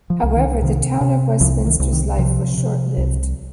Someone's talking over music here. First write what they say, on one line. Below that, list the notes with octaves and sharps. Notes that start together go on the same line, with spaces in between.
However, the Town of Westminster's life was short-lived.
F3
C2
D#3
C3 D#3
C3
C2 F3
D#3
C2
D#3
C3 F3
C3
C2